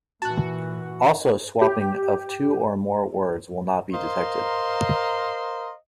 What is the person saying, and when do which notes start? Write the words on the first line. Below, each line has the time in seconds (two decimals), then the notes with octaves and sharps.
Also swapping of two or more words will not be detected.
0.22 A#2 E3 F#4 A5 F#6
1.62 G4
3.93 A#4 C5 D#5 F5 A#5 C6